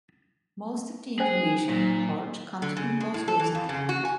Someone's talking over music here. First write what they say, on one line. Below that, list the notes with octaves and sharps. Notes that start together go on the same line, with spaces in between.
Most of the information on Hodge comes from Boswell's account.
C#4 G#4 C5 G5
D#4
A#2
D3
C#3
G#3
A2
A4
E3
F2
C#3
F#4
G#5